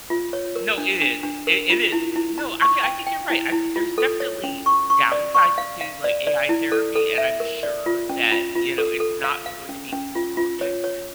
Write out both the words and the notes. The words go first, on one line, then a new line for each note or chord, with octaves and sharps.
No, it is. It it is. No, I mean, I think you're right, I'm there's definitely downsides to, like, AI therapy and I'm sure that, you know, it's not going to be perfect,
F4
C#5
A#4
D4
D4
D4
A#4
F4
E4
E4
A#5
C#6
G5
G5
E4
E4
F4
A4
C#5
C#4
C#6
C#6
D5
C#6
F5
F5
D5
D5
E4
A4
A4
E5
A#4
D5
F4
C#4
F4
F4
A4
A4
F5
F5
C#4
C#4
F4
F4
C#5
C#5